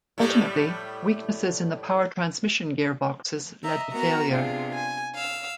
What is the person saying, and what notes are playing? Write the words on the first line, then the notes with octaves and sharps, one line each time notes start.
Ultimately, weaknesses in the power transmission gear boxes led to failure.
A2 G3 A3
D#5 E5 A#5
B3 F#4 A#4 A#5
C3 B3 D4 F4 G#4
G#5
F5 E6